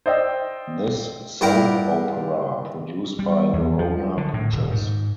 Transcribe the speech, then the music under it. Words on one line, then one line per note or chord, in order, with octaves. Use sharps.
This soap opera produced by Verona Pictures.
C5 D5 D#5 G5 E6
G2 E4 G4 A#4 F#5 D6
G3
E2
F3
D3
A2
D#1
G#2